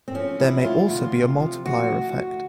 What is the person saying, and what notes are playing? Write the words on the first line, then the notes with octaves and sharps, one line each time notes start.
There may also be a multiplier effect.
C4
F3 C#4
F3 E4
D2 F4
C3 F4
C3
F3
D2 F#4
D2
D2